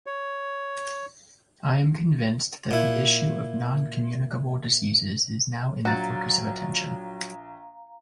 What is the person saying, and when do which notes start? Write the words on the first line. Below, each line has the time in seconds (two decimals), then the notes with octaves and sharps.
I am convinced that the issue of non-communicable diseases is now in the focus of attention.
0.06 C#5
2.71 A#2 E4
5.85 A#1 F#3 F#4 F5 A#5 A6